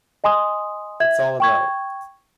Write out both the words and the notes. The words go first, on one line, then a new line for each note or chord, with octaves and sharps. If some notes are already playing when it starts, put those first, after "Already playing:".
It's all about.
D#5 G#5 C6 D#6
E5 G#6
G5 C#6 G#6